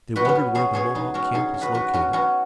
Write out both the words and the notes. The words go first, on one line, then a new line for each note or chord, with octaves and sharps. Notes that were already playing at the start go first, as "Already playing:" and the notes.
They wondered where the Mohawk camp was located.
B2 F#4 B4
B3 C#4
B3
B3 G#4 C#5
B2 G#4 C#5
B3 D#4 G#4
G#3 C#4 F#4
C#3 D#4 G#4
C#3
F#4 B4
B2 F#4 B4
B3 C#4 F#4
B3 C#4 F#4